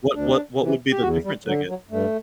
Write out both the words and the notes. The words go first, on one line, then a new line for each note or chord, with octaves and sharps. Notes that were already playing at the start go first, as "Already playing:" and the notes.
What what what would be the difference, I gue
D2 D4
C3 E3
G4
E2 F#4
G3
D3 F#3
F#3
G2 A3